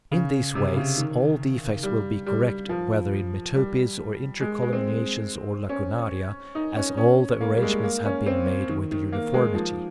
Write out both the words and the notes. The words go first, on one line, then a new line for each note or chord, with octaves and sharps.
In these ways all defects will be corrected, whether in metopes or intercolumniations or lacunaria, as all the arrangements have been made with uniformity.
C#3
C3
C#3
D#3
G3
G3
F3
G3
G#3
G#3
C4
C#4
D#4
C#4
C#4
A#3
G3
G#3
A#3
C#4
C4
D#3
D#3
A#3
G#3
F3